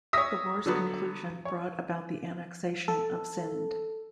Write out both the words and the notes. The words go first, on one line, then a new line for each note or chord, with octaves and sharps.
The war's conclusion brought about the annexation of Scinde.
C#5 E5 D#6 A#6 B6
D3 F#3 B3
C#5
A4